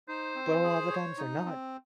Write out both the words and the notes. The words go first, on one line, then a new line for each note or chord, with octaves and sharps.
But a lotta the times they're not.
D#4 C5
C4
G#4
C#5
D#4
C4